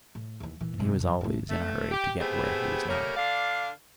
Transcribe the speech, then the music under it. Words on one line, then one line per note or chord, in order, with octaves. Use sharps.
And he was always in a hurry to get where he was not.
A2
D#2 E3
A#2 E3
F#2 C3
F#2
A2 A3
A3
G4
A3 B3 C4 E4 G4 G#4
G3 A3 A#3 A#4 C#5
D3 D4 D5 F5